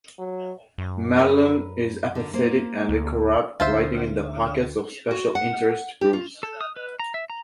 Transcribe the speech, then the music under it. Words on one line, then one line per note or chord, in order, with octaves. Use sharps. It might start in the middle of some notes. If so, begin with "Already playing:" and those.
Marlon is apathetic and corrupt, riding in the pockets of special interest groups.
F#3
F#2
A#4 B4
D3 A#4
A#3 C5
D2
D2 F4 C5 E5
F#4
F#5
G4
F4
A4
D#6
B4
A#5
E5
A#5